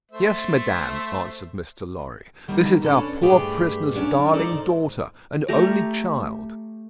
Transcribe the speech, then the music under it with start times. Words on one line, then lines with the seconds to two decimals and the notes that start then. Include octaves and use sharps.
"Yes, madame," answered Mr. Lorry; "this is our poor prisoner's darling daughter, and only child."
0.12 A3 C5 E5
2.48 D#3 G3 A#3 B3 D#4
2.84 C#4 D4 A4 B4
3.21 G2 A3 G4 G#4 B4
3.96 F#3 C#4 D4
4.33 D#4 A4 A#4 C5 D5
4.51 G#2
5.48 A3 G4 A#5